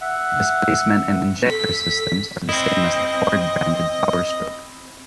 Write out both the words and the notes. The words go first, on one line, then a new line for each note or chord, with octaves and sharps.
Displacement and injector systems are the same as the Ford branded Power Stroke.
E5 F#5
A4 B6
C4 E4 D#5